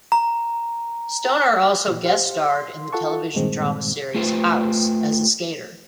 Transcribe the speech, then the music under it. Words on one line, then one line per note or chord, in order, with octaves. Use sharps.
Stoner also guest-starred in the television drama series "House" as a skater.
A#5
F6
A#2 F3
G4 C5 F5
C6
F4 A4 F#5 A5 C#6
G2 A#2 D#3 G#3 C4
A3 F4 B4 C5